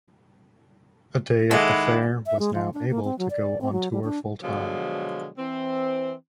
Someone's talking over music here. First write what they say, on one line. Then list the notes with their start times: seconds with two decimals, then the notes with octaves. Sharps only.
A Day at the Fair was now able to go on tour full-time.
1.51 D#3 G#3 E4 A4 F#5 D6
2.26 E5
2.40 G#3
2.54 F3
2.74 D4
2.90 A#3
3.04 C4
3.19 F#3
3.30 D5
3.61 C4
3.72 F#3
3.92 G3
4.04 D4
4.43 B2 D3 F3 F#3 G#3
5.39 E3 C4